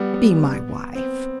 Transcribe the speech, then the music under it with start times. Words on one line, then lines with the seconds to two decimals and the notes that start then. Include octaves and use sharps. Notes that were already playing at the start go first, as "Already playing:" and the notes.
Be my wife.
Already playing: G3 B3
0.14 B3
0.95 C4